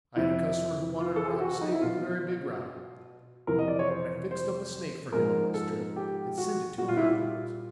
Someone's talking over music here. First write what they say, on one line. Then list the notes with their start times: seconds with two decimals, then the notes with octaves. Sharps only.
I had a customer who wanted a rattlesnake with a very big rattle, and I fixed up a snake for him on this trip and sent it to him afterwards.
0.16 F2 C3 F3 E4
1.00 F4
1.16 A4
1.25 G#4
1.32 G4
1.40 F#4
1.51 F#4
1.61 D#4
1.72 E4
1.82 B2 F#3 F4
3.47 F2 C3 E3 A#4
3.59 D#5
3.68 D5
3.79 C#5
3.89 C5
4.31 C5
5.13 G#2 F3 G#3 A#4
5.54 A4
5.96 G4
6.38 F#4
6.78 A#2 G3 F#4
6.88 F4
6.97 E4
7.06 F4